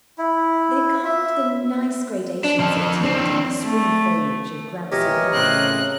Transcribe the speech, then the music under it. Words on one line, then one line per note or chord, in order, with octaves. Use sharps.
They conned the nice gradations of tint in the spring foliage of Gramercy Park.
E4
E5
D4
F3 A4
C4 D4
A3
F2 A#2 E3 G4 A#4 C#5 D#5
A2 C#3 C4 F#6